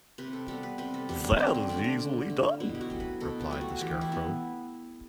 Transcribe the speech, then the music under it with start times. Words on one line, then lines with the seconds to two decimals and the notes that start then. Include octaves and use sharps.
"That is easily done," replied the Scarecrow.
0.18 C3 B4
0.33 A4
0.48 G3 B3 A4
0.63 B4
0.78 C3 B4
0.94 A4
1.09 G3 B3 G4
1.24 D4
1.39 D3 C4
1.54 D4
1.69 A3 D4
1.84 D4
2.00 D3
2.30 A3
2.60 B2 E4
2.75 G4
2.81 F#4
2.90 F#3 A3
3.00 B4
3.20 B2 A4
3.41 G4
3.51 F#3 A3
3.61 F#4
3.81 E3 G4
4.01 E4
4.12 B3